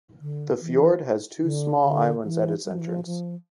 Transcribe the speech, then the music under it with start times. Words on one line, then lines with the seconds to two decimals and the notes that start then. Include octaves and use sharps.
The fiord has two small islands at its entrance.
0.21 D3
0.61 E3
1.43 D3
1.84 D3
2.24 E3
2.65 G3
2.72 F3
2.80 E3
2.87 F3
3.06 F3